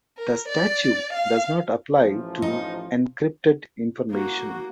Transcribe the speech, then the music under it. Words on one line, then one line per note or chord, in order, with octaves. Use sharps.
The statute does not apply to "encrypted" information.
A#4
D5
F5
A1 F3
D#4
A#3 F#4